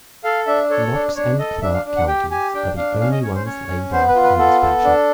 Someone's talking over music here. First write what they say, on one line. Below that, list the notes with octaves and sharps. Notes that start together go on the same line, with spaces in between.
Knox and Clark counties are the only ones laid out in this fashion.
A4 F5
D4 E5
A4 C#5
D4
D4 C#5
A4 D#5
D4 E5
F5
D4
F#5
G4 G5
G4 G#5
D4 G5
D4 F5
C#4 F5
D#5
C#4 C#5
C5
C#4 C#5
C#4
B3 C5
B4
F4
B4
B3 A4
A4
D4